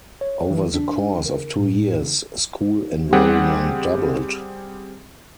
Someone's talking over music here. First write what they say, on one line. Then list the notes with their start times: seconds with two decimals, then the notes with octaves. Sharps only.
Over the course of two years, school enrollment doubled.
0.21 C#5
0.51 E3
0.74 D4
1.26 A#4
1.59 A2
3.13 G3 C4 G4 G#4 F#5